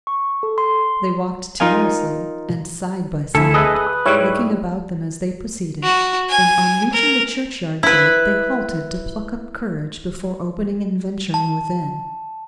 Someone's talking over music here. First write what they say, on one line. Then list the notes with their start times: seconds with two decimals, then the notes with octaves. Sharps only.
They walked timorously, and side by side, looking about them as they proceeded, and on reaching the churchyard gate they halted to pluck up courage before opening and venturing within.
0.07 C#6
0.43 A4
0.58 C6
1.60 D#4 F4 A#4 D#5 F5 G#5
3.35 D2 E4 A4 G#5
3.54 G#4 A4 B4 D#5 E5
3.75 B4 D#6
4.06 G#2 G3 E4 C#5
5.83 F#4
6.30 G#5
6.94 A#4
7.83 E4 B4
11.34 A5